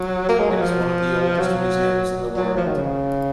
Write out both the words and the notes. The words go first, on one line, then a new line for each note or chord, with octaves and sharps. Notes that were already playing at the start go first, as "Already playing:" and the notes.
It is one of oldest museums in the world.
Already playing: F#3
A#3
G#3
F#3
F3
F#3
F#3
F3
D#3
C#3